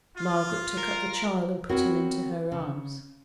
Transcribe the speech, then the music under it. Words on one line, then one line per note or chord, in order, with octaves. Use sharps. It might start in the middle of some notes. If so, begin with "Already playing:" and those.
Margaret took up the child and put him into her arms.
F4
A#4
B3 C4 E4 F#4 A#4 C#5
C#3